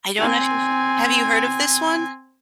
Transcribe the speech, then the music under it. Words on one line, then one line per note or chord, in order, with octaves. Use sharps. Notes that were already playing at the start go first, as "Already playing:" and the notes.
I don't know if you've have you heard of this one?
C4 G#5